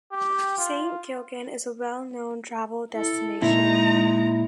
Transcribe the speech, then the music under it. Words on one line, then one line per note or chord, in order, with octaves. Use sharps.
Saint Gilgen is a well-known travel destination.
G4
F4
E4 A4
A#2 G#3 D#4 E4 A#5